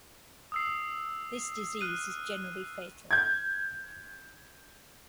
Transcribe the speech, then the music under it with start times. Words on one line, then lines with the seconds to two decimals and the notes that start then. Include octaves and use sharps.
This disease is generally fatal.
0.52 D#6 E6 C7
1.81 F6 F#6 D#7
3.11 G6 G#6